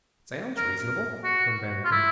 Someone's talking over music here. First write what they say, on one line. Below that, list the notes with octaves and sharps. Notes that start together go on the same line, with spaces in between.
"Sounds reasonable," from Van Emmon.
A#4
F#4
F4
E4